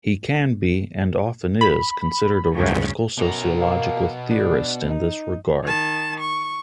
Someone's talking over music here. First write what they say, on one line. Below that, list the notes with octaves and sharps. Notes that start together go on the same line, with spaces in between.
He can be, and often is, considered a radical sociological theorist in this regard.
B5
D2 G2 C#3
F#2 B2 A#5
A#3
D4
D#4
D#3 A5
C#6